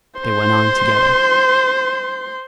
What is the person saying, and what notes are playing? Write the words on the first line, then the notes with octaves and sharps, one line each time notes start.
They went on together.
C5 C6